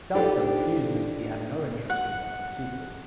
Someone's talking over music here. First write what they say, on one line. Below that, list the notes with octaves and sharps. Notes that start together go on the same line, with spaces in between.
Seltzer refused as he had no interest in writing sequels.
D4 D#4 F4 G4 A4 C5
F#5